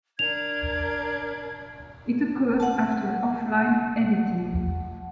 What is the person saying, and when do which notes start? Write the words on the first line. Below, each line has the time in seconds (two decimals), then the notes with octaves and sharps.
It occurs after offline editing.
0.19 D4 A#4 G#6 F7
2.60 F#5 A5